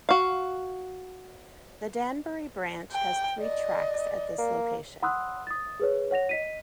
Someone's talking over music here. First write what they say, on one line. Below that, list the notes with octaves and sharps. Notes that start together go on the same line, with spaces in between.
The Danbury Branch has three tracks at this location.
F#4 F5
G5
D5 D#5
A#3
F#5 B5 C6 D#6 E6 F#6
D#6 A6
G#4 B4 C#5
C#5 F#5 A#6 F7
D#5 B6 D#7